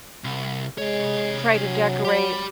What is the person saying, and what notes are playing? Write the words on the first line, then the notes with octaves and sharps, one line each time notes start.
try to decorate
C2
C3 G#3 C#5
F#3
G4 B5